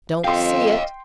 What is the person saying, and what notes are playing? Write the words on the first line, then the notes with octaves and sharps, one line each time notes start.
'Don't see it.
F2 D#5 F5 G5 C6